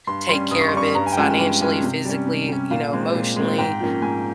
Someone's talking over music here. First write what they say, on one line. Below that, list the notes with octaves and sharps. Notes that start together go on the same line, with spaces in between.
take care of it financially, physically, you know, emotionally,
G2 C6
G3 C#4 C6
G2 D#6
C#6
C6
G3 C#4 C#6
G2 A#5
G#5
G5
F3 G#3 C#4 G#5
G5
G2 G5
F3 G#3 C#4
C3
G3 C#4
C3
G3 C#4
A#2 F5
G#3 C4
A#2
G#3 C4
G#2 G5
F3 A#3 C#4
G#2 G#5